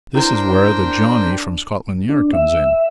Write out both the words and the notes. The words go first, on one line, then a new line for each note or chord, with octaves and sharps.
This is where the Johnny from Scotland Yard comes in.
D4 E4 A#4 C5 G5
D4
E5